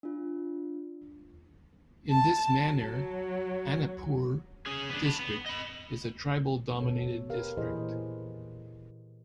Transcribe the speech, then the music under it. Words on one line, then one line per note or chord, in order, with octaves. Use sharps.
In this manner, Anuppur District is a tribal dominated district.
D4 F4
A5
F#3
C#4 G#4
B3 D4
A5 B5
B3
D#5 B5
B2 A4 C#5
G4 A#4 B4 F5
A#2 E3 G#4 B4 C5 D#5